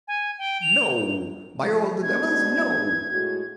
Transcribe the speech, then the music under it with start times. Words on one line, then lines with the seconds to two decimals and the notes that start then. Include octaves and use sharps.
"No! By all the devils, no!"
0.08 G#5
0.38 G5
0.62 F7
1.60 F3 A3
2.03 G#2 B2 D4 G#6
3.10 A2 G#3 F#4